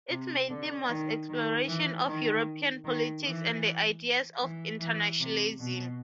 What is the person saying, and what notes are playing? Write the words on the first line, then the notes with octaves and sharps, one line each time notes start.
Its main theme was exploration of European politics and the ideas of internationalism.
C3
D3
D#3
D#3
E3
D#3
D#3
E3
E3
E3
C3
B2